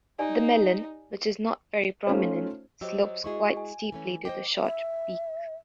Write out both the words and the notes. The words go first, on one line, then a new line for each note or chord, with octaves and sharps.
The melon, which is not very prominent, slopes quite steeply to the short beak.
D#4 G4 D5 G#5
A3 C#4 D#4 F4 C5
F#3 G4 C5 D#5 E6
G#3 E4 F#4 G#4 D#5 C#6
G#5
E3 A3 C#4
C5 D#5 G5 D6
E5